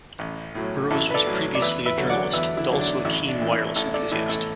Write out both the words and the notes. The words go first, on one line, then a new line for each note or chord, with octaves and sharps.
Burrows was previously a journalist and also a keen wireless enthusiast.
A1
A2 F#3
A1 E4 A4
B4
A4 D5
A2 F#3
D5
E2 B4 E5
B4 E5
D3 F#3
D5 F#5
E2 B4 E5
E4
D3 F#3
D4
A1 E4
D4
A2 E3
E4
A1 E4 A4
A4 D5
A2 E3 E4 A4
E4 A4